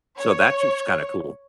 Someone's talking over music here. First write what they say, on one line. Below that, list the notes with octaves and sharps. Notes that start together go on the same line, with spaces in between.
So, that's just kinda cool.
C#5